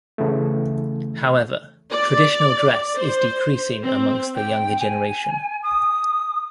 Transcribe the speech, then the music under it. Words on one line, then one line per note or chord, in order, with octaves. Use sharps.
However, traditional dress is decreasing amongst the younger generation.
C#3 E3 A3
D5
C5
C4
G5
G#5
D#6